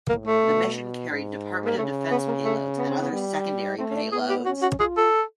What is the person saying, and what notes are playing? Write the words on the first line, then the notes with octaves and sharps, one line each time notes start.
The mission carried Department of Defense payloads and other secondary payloads.
A2 A#3
A3
B2
G#2
A#3
C#3 A3
B3
A#3
A3
B3
C4
B3
G3
A3 C4
C#4
D4
B3 G#4
G4
C#4 F#4
F#4
F4 G#4
A4